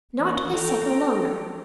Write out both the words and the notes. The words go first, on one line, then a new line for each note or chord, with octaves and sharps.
"Not a second longer."
E3 A#3 C#4
A4 G5 A#5